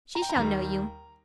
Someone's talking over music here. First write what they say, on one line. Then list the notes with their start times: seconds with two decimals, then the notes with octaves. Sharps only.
'She shall know you.
0.15 A#5
0.22 G5
0.30 A#5
0.36 D#2 D#3 G3